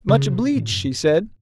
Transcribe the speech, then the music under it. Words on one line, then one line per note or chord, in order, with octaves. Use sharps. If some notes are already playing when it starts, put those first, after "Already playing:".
"Much obleeged," she said.
C#3
B2
A2
F#2